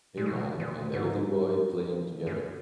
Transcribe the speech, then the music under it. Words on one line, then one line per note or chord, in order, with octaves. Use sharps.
A man and a little boy playing together.
A#2
B2
A#2
G#2
F#2